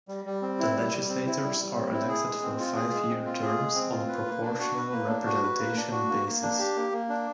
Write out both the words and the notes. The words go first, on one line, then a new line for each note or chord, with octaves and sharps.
The legislators are elected for five year terms on a proportional representation basis.
G3
G3
C4
E4
G3
G3
C4
E4
G3
G3
C4
E4
G#4
G#3
C4
F4
G#4
G#3
C4
F4
G#4
G#3
C4
F4
B4
A#3
D4
F#4
B4
A#3
D4
F#4
B4
A#3
D4
F#4
A#3
A#3
D4
G4
A#3
A#3
D4